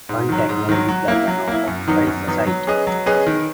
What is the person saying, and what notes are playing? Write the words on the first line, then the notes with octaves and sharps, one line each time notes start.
One Technology Plaza now occupies the site.
G#2
D#3 F#3
G#2
D#3 F#3
F#3
A#3 E4
F#3
A#3 E4
F#2
D#3 F#3 B3 D#4
F#2
D#3 F#3 B3 D#4
F#3
C#4 G#4 B4 D#5
F#3
C#4 G#4 B4 D#5
D#3